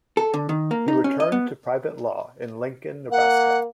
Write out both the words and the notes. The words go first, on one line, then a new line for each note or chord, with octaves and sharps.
He returned to private law in Lincoln, Nebraska.
A4
D3
D#3
A#3
D#4
C#4
D#5
B3
A#3 F#5